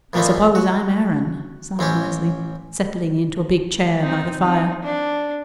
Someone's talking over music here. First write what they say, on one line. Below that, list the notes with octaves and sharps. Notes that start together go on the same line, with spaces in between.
"I suppose I'm Aaron," sighed Leslie, settling into a big chair by the fire.
F2 A#2 F3 A3 B3 C4
F#4
A1 C4 C#4 G4
C4 D#4
C4 D#4
D4